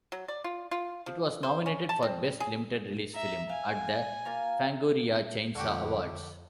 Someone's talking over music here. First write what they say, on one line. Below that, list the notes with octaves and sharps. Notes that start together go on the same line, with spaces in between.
It was nominated for Best Limited Release Film at the Fangoria Chainsaw Awards.
F#3
D5
F4
F4
F3
C5
C#4
A5
C4
G#4
E5 A#5
F5 G#5
A#3 F4 A#5
F2 D3 F#4 G4